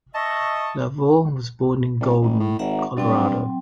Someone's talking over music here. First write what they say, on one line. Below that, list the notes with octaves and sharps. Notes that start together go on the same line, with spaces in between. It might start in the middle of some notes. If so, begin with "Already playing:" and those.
LaVeaux was born in Golden, Colorado.
D#5 E5 A5 C#6
C2
A1
A2
G#1 E5 F#5 A#5
G2 F#3 C4 G5